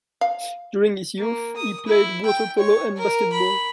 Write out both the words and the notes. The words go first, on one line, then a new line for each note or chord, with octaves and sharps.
During his youth he played water polo and basketball.
F5
A#3
D#6
E4
G5
C#5
A#4
B5